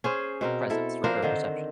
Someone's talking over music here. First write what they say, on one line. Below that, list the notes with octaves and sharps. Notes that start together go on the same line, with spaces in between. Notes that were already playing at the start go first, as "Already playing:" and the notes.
presence, right, or perception
C#4 G#4 C5
B2 C4 A#4
E4 A4
F3 D4 A#4 C5
D3 D#3 C4